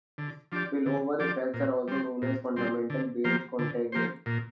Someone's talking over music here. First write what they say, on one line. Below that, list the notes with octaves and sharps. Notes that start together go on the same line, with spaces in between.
Spillover effects are also known as fundamental-based contagion.
D3
F3 D4 G4 D5
D3
F3 D4 G4 D5
A#2
G3 C4
A#2
G3 C4
D3
F3 A#3 G4 C5
D3
F3 A#3 G4 C5
A#2